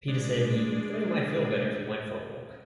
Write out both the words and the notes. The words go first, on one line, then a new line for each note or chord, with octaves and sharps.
Peter said he thought he might feel better if he went for a walk.
G#3 D4